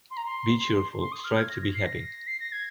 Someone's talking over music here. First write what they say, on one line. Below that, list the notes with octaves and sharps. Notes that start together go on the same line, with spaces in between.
Be cheerful. Strive to be happy.
C6
A#5
C6
C6
D#6
F6
G#6
A#6
A#6
C7
A#6
C7
A#6
G#6